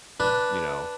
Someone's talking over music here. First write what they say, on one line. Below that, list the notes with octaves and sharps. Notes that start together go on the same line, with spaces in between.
you know,
D4 B4